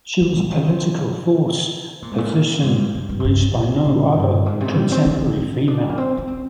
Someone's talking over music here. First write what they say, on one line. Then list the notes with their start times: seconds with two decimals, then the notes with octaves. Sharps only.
She was a political force, a position reached by no other contemporary female.
0.21 G3
0.36 G3
0.51 D#3
0.67 C3
2.02 A#2
2.11 G#2
2.18 A#2
2.63 G#2
2.78 G2
2.95 G2
3.09 G2
3.20 G#2
3.25 G2
3.54 A#2
3.85 A#2
4.16 G2
4.46 G#2
4.60 C3
4.76 G3
4.92 C4
5.06 C4
5.68 D4
5.89 A#3
5.98 C4
6.18 D4
6.28 C4